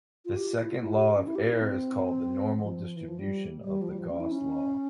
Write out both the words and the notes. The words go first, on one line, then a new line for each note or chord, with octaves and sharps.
The second law of error is called the normal distribution or the Gauss law.
F4
G4
F4
E4
F4
E4
G4
C#4
E4
G4
F4
E4
C4
E3
F3
E3
F3
G3
G3
F3
G3
F3
C#4
E4
C#4